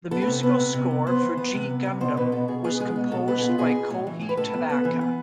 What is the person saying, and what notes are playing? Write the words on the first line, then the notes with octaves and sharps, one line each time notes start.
The musical score for "G Gundam" was composed by Kohei Tanaka.
B3 A4
B4
C3
A4
B3
C3
C3
B3
B3 C5
E3
B3
C3
B3
C3
B2 C5
B2 B4
B2 A4
B2 G#4
B3 G#4
G#3 G#4
B2
B2 A4
B3 A4
B2 G#4
F4
B2 G#4
B2
A2
E3
A2
B4
A2 A4
B3
B3
E3
B3